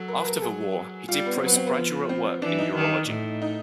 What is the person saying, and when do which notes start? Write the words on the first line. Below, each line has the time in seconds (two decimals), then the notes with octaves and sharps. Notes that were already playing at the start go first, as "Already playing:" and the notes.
After the war, he did postgraduate work in urology.
Already playing: F#3 A4
0.08 A#4
0.21 B4
0.26 A#4
0.36 A4
0.42 F#3 G#4
1.09 G3 F4
1.26 B3
1.35 C4
1.42 F#3 B3
1.56 C4
1.67 B3
1.76 F3
2.09 C4
2.42 E3 D4
2.59 D#4
2.75 D#3
3.08 A2
3.42 D#4